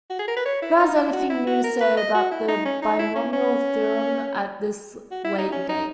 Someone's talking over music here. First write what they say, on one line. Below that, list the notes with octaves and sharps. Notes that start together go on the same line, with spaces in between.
Who has anything new to say about the binomial theorem at this late date?
F#4
G#4
A#4
B4
C#5
E4
D#4
E4
F#4
E4
F#4
A#4
B4
D#5
F#4
E4
D#4
C#4
D#4
E4
C#4
C#4
F#4
E4
D#4
C#4
D#4